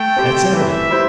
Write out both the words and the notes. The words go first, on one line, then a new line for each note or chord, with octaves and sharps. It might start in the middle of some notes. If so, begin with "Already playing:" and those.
That's evident.
Already playing: A3 G5
C4 G4 C5
E3 E5
G3 E4 C5